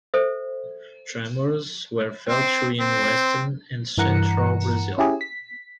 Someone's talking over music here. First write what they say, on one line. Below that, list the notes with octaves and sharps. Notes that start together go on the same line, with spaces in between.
Tremors were felt too in western and central Brazil.
A4 C5 E5
C4
C4
G2 E3 A#4 F#5 A#5 C#7
C#4 E4 G4 G#4
B6